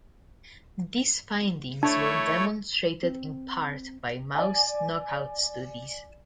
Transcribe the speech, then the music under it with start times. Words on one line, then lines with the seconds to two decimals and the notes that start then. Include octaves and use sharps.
These findings were demonstrated in part by mouse "knockout" studies.
1.83 A3 D4 E4 C#5
3.03 C4
4.35 D5 G#5